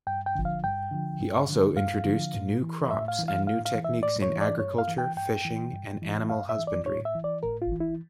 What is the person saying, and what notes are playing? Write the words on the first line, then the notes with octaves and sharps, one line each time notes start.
He also introduced new crops and new techniques in agriculture, fishing, and animal husbandry.
G2 G5
G5
D3 F3
F5
G2 G5
D3 F3
G2
D3 F3
G2 F5
D3 F3
A2
E3
A2 E5
F5
E3
F5
A2 F5
F5
E3
E5
A2 D5
C#5
E3
D5
G2 C#5
F5
E3
G5
G2 G5
E3
G2
E3
G2 F5
E5
E3
D5
A2 C#5
E5
E3
D5
A2 A#4
F4
E3
E4